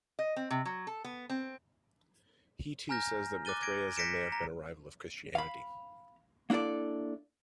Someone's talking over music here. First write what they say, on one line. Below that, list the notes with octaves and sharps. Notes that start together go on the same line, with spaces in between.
He too says that Mithraism may have been a rival of Christianity.
D#5
C4
C3
F#3
A4
B3
C4
G#5 A#5 F6 G6 A#6
D6 F#6 A6 D#7 G7
G#6 A#6 D7
G6 A#6 B6 C#7 D7 E7
A#5 A#6
F5 B5
A#3 D4 E4 A4 D5